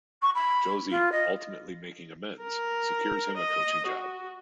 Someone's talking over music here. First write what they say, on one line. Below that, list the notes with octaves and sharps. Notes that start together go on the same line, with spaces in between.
Josie, ultimately making amends, secures him a coaching job.
C#6
B5
F4
D#5
A#4
D#5
F#4